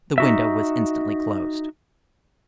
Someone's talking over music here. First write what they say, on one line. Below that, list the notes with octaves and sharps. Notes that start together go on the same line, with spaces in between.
The window was instantly closed.
D#4 F#4 E5